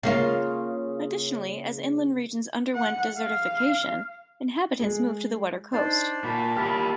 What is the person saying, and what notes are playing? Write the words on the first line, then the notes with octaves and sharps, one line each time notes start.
Additionally, as inland regions underwent desertification, inhabitants moved to the wetter coast.
C#3 A#3 F4
F#5
F5
G#3 G#4
D4 D#4 C5 D5
A#2 F#4 A5 B5
G3 A#3 E4 F4 G4 F6